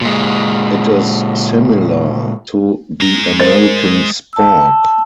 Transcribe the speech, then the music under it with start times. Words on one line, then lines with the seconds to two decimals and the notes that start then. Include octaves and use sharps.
It is similar to the American spork.
0.01 A#2 G#3
3.01 G#3 A#5
3.40 A#4 C5 A6
4.33 A5 E6